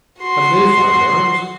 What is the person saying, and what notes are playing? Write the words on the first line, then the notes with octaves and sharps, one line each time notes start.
"Have they fire-arms?"
F#4 C6